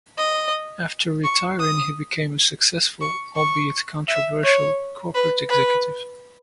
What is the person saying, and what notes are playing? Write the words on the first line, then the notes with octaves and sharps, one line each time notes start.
After retiring he became a successful, albeit controversial, corporate executive.
D#5
C#6
D#6
C#6
C#6
E5
C#5
B4
B4